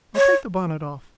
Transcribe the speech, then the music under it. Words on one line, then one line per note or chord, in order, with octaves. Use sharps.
"I'll take the bonnet off."
C#5